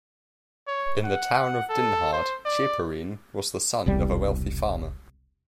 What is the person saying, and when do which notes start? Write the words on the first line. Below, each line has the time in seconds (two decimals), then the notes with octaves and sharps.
In the town of Dinhard, Ceporin was the son of a wealthy farmer.
0.68 C#5
1.05 F#5
1.70 A4
2.13 C5
2.46 D5
3.86 E1 C2 G3